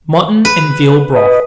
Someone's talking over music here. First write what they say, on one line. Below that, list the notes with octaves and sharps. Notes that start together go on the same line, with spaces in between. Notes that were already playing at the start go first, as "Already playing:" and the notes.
Mutton and Veal Broth.
B4
B4 D#5